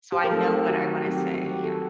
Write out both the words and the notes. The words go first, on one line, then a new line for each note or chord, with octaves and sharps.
so I know what I wanna say, yeah.
G4
A#4
F#3 A3 C4 D#4 A4
G4
D#3 F#4
F#3 C4 G4
F#4
D#3 G4
A4